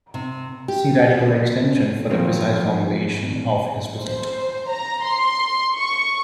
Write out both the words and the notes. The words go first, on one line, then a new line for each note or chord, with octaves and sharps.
See Radical extension for the precise formulation of his result.
C3
G4
D#3 F3 F#3 A#3 C4
C5
A#5
C6
C#6